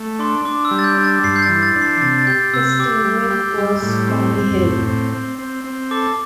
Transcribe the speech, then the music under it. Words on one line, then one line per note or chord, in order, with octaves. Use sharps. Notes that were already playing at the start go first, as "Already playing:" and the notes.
His teammate was Tommy Hill.
Already playing: A3
D4 C6
D4 D6
E6
G3
A6
G6
D4
A6
G2 C7
G6
A6
E3
A6
D4
C7
C3 A6
A6
G4 G6
C3 E6
E6
G4 D6
G3
G4
G3
A2
C4
C4
A2
C4
C4
C4
C4
A4 D6